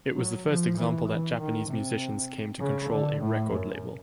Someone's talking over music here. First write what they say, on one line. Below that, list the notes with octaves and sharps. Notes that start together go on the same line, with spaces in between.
It was the first example that Japanese musicians came to control a record label.
F#3
F3
E3
E3
D#3
C3
C#3
D3
A2
F#2